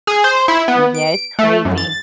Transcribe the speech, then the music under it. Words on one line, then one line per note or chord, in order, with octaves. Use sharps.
Yeah, it's crazy.
G#4
C5
E4
B3
D7
A3
F#2
A6